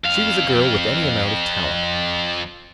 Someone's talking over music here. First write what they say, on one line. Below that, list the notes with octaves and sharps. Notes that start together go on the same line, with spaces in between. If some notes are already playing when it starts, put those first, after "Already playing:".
She was a girl with any amount of talent.
F2 F5